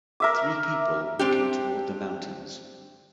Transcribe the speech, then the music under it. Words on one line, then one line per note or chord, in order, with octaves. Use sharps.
Three people looking toward the mountains.
A#4 E5 D6
C4 D4 G4